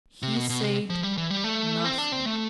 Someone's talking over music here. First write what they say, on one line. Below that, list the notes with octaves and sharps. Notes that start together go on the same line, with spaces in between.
He said nothing.
C3
B2
B2
C3
F3
G3
E3
G3
A3
C4
D4
C4
A3